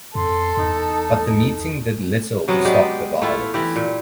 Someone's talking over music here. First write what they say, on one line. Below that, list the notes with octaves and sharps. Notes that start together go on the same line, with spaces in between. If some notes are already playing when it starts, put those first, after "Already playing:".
But the meeting did little to stop the violence.
F2 A4 C6
E2 D#4
C3 F#3 B3 C#4
G#3 B3 G4 D5
A3 E4 F4
E3 E4 G4
A#2